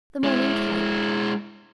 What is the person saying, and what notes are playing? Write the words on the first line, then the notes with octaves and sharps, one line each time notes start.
The morning came.
G#3 E4